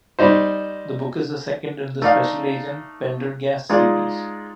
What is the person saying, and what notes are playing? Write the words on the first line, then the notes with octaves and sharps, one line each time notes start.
The book is the second in the Special Agent Pendergast series.
G3 D#4 C5
A3 D#4 D5 F5
G#3 D#4 F4 G#4 D5